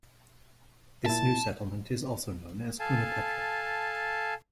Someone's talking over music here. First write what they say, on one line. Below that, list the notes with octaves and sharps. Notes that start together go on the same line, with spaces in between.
This new settlement is also known as Kounopetra.
A#2 E4 A5
A4 F5 G#5 A5